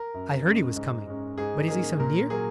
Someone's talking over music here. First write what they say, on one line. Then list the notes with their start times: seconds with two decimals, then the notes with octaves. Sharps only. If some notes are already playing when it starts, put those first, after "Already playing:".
"I heard he was coming, but is he so near?"
Already playing: A#4
0.14 F#2
0.45 C#3 G#3 C#4
0.76 G#2
1.07 G#3 C#4
1.38 G#2 G#4
1.68 D#3 A#3 C#4 G#4
1.99 A#2 A#4
2.30 F#3 A#3 G#4